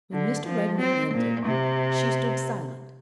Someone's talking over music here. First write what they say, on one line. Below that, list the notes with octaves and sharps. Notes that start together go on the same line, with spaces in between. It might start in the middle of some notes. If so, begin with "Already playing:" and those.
When Mr. Redmain ended, she stood silent.
D3
F3
C4
A#2
C3